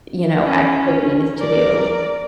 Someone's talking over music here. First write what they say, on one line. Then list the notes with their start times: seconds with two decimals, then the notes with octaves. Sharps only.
you know, activities to do.
0.43 C#4
1.38 A#4 D5